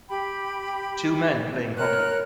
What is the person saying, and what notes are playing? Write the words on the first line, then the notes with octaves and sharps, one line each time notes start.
Two men playing hockey.
G4 G5 B5
A#4 C#5 F#6